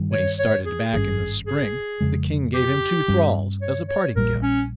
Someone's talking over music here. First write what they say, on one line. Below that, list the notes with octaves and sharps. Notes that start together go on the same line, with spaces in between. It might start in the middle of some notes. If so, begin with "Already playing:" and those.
When he started back in the spring, the king gave him two thralls as a parting gift.
Already playing: G2 D#3 G3
C#5
C#5
G#4
G#1 G2 G3 C#4 G#4
G#4
F2 C#3 G#3
G4
G2 G3 C#4
C#5
C#5
A#1 A#2 G3 A#4
C#4